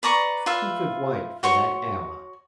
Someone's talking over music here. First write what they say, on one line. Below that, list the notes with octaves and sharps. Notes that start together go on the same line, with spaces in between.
He could wait for that hour.
B4 D5 A#5 C#6
F4 B4 E5 F5
F#4 C#5 C6 C#6